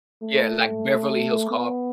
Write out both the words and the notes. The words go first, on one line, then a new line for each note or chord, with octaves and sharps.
Yeah, like Beverly Hills Cop.
A3
B3